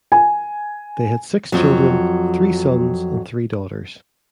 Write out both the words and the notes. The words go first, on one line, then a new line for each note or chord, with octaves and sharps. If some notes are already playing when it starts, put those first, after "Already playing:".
They had six children: three sons and three daughters.
G#5
F2 F#3